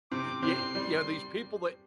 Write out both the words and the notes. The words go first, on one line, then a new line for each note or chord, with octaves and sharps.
Ye yeah, these people that
C3 C4 D6
C3 C4 C6
G3